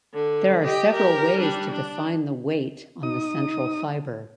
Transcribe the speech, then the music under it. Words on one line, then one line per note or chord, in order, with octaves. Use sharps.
There are several ways to define the weight on the central fiber.
D3
G4 D#5
G4 A#4
G3 D4
D4
D#4 D#6